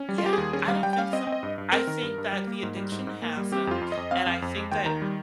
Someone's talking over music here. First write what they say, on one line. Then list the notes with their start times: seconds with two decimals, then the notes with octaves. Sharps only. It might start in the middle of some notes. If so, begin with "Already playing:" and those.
Yeah, I don't think so. I think that the addiction has him. And I think that
Already playing: C#4
0.09 G3
0.18 F4
0.24 G3 G4
0.33 D#2 G#4
0.53 C#4 G#4
0.68 G3 F5
0.83 G3 G5
0.93 G5
0.98 C#4 F5
1.13 C4 D#5
1.27 C4
1.32 D#5
1.43 G2
1.58 G2
1.72 C4 A#4
1.87 D#3
2.02 G2
2.18 G2
2.33 G3
2.47 A#3
2.63 G#2
2.77 G3
2.92 G#2
3.07 G#2
3.22 A#3
3.37 G3
3.52 C4 G4
3.67 F2 F4
3.81 F2
3.92 D#5
3.97 F2
4.11 C4 F5
4.26 F2
4.42 F2
4.57 G#3
4.72 D#2 G5
4.86 D#3 A#5
5.02 G3